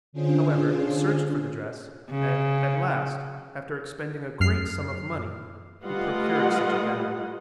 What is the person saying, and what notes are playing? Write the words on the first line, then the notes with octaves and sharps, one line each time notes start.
However he searched for the dress and, at last, after expending a great sum of money, he procured such a gown.
D3 C#4 D4 F4 G#4 C5
C#3
F#2 F6 C7
G3 A3 F4 B4 D#5 F#5